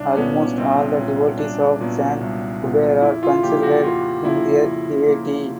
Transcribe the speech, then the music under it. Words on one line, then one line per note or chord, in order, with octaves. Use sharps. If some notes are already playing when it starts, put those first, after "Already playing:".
Almost all the devotees of Sant Kubera considered him their deity.
Already playing: C2 D4
A#2 F#3 B3 C#4
C2 C4
A#2 F#3 B3 C#4
C2 D4
A#2 F#3 B3
C2
A#2 F#3 B3
F2 E4
F4
C#3 F3 A#3 G4
F#4
F2 F4
C#3 F3 A#3 E4
F2
C#3 F3 A#3